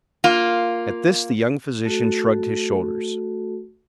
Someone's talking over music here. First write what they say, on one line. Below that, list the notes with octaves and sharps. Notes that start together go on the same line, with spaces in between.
At this the young physician shrugged his shoulders.
A#3 F4
A3 F#4 A4